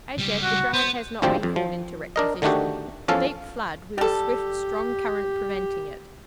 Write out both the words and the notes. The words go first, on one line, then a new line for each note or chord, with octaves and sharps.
As yet the drag has not been called into requisition; the deep flood, with a swift, strong current preventing it.
C#2 G3
F#4
B3 C5
G#1 D2 F3 C4 G4 D5
F2
F3
D4 A#4 D#5
D3 D#3 A3 D4 F#4 G4
E2 F3 C#4 A4 F5 A5
G3 G4 A4